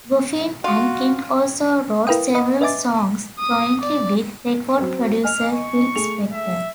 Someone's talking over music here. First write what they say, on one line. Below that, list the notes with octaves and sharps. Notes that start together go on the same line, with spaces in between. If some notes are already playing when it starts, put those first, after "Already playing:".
Goffin and King also wrote several songs jointly with record producer Phil Spector.
F4 F#4
E4 A#4 B4 F5 G5 D#6
D#5 F#5 B5 D#6
B4 D#5 E5 G#5 D6 A6
D#6
D5
F#3 C4
D#5 G#5 F6
C#6
A3 G#4 F7
E5